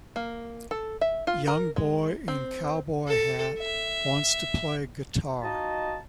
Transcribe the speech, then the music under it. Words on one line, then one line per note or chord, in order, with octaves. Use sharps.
Young boy in cowboy hat wants to play guitar.
A#3
A4
E5
F4
A#4
G#3
C4
A4
E5
D#4 F4 F#4 D#5 A5